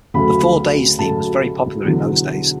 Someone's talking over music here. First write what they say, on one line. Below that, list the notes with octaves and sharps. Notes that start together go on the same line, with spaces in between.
'The Four Days' theme was very popular in those days.
D2 C#3 F#3 A3 B5
D2 C#3 F#3 A3 A5
E1 E2 D3 F#3